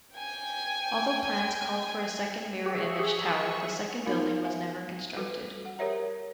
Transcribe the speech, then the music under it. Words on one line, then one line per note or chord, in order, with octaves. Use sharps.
Although plans called for a second mirror-image tower, the second building was never constructed.
G5 G#5
G4 G#4 E5 C#6
G4
B3 D#4 F#4 A#4 F5 G#5
E5 F5 G#5
G3 F#4 A4 B4 C5
F#5
G4 A#4 C5 C#5 E5 A#5